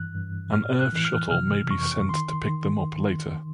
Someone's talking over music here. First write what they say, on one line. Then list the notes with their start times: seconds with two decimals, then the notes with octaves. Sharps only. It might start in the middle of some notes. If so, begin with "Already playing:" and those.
An Earth shuttle may be sent to pick them up later.
Already playing: G2 E3 F#6
0.14 G2
0.53 A2 F6
0.79 F#6
0.93 E3
1.05 F6
1.31 C3 F6
1.70 F2 C#6
2.09 D#3 C6
2.49 D#3